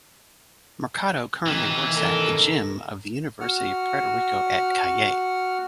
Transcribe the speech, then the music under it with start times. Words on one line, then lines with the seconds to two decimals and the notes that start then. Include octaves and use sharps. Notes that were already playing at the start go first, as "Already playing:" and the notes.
Mercado currently works at the gym of the University of Puerto Rico at Cayey.
1.46 C3 D#3 E3
1.93 A4 A#4
3.40 F#4 F#5 F6